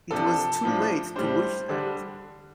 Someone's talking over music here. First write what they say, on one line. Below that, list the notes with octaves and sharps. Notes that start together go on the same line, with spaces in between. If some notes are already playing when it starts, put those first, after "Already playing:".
It was too late to wish that!
C3 F3 D4 A4
A2 F3 D4
A2 G3 D4 C5
D3 G3 D4